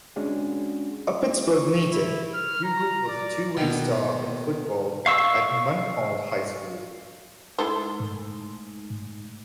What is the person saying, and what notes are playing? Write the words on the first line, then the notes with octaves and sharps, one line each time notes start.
A Pittsburgh native, Bugel was a two-way star in football at Munhall High School.
G#3 C#4 D4 F#4 G#4
C#6
E4
F6
A#5
D5
B2 D#3
F5 C#6 E6
G#3 A3 D#4 E4 A4 C5